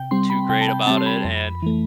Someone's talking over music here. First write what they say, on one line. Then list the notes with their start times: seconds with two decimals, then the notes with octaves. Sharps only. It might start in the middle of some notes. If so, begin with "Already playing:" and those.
too great about it, and
Already playing: C3 G5
0.11 G3 C4 C6
0.30 B5
0.49 C3 G5
0.61 A5
0.68 G5
0.86 G3 C4 A5
0.97 C6
1.06 B5
1.25 F2
1.62 E3 A3